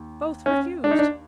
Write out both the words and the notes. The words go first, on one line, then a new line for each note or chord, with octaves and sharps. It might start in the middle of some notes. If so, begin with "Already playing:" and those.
Both refused.
Already playing: D#2
C#4
D4
D#4
D4